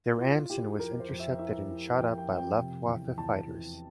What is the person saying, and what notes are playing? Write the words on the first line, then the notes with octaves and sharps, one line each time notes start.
Their Anson was intercepted and shot up by Luftwaffe fighters.
E3 F4
E3 G4
F2 A#4
C5
F2
E5
E3 E5
E3
F2 G5
G5
F2
G5
C3
E2
E2 A5
E3